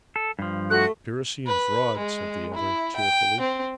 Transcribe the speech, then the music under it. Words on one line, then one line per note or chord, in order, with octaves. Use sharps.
"Conspiracy and fraud," said the other cheerfully.
A4
G2 F3
A3 F#4 F#6
B4
G#3
E4
G5
C4